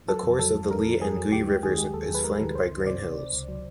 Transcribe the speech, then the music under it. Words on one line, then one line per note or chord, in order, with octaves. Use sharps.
The course of the Li and Gui Rivers is flanked by green hills.
F#3 A4
F2
F#3 A4
F2
F2 A#4
F2
F2 G#4
F#3
D#2 G4
G#3
D#3 G#4
G#3
D#2 A4
D#2 B4
G#3 A#4
D#3
C#2 C5
D#3
C3 D5
C3
C3
C#2
F#3